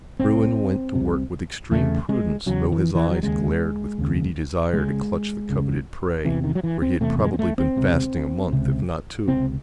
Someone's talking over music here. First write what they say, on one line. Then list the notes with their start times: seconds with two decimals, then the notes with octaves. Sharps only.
Bruin went to work with extreme prudence, though his eyes glared with greedy desire to clutch the coveted prey, for he had probably been fasting a month, if not two.
0.20 C2 C3 C4
0.95 C3
1.00 C2
1.71 E2 C#3 A3
2.09 G#3
2.46 E2 C#3 F#3
2.72 E3
2.95 E3
3.09 F#3
3.22 D#2 C#3 G#3
3.98 D#2 C#3
4.73 C#2 C#3 G#3
5.50 C#2 C#3
6.25 E2 C3 E3
6.44 D#3
6.55 F#3
6.64 E3
6.82 C4
7.01 E2 C3 A3
7.20 G#3
7.33 C4
7.39 A3
7.58 C4
7.76 C#2 C3
8.53 C#2 C3
9.28 C#2 C3 C4